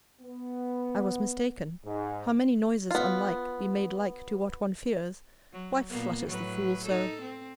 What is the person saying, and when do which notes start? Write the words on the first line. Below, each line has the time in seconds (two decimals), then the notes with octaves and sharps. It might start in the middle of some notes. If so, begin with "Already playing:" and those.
I was mistaken!--How many noises unlike, be made like to what one fears!--Why flutters the fool so--!
0.22 B3
1.85 G#2
2.91 B3 F4
5.53 F#3
5.89 A#2 A#3 B3
6.27 A2 F#3 B4
6.85 D#4 A4
7.22 C4